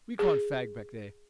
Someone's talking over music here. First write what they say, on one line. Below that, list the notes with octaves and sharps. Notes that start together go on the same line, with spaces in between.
We can't fag back there.'
G#4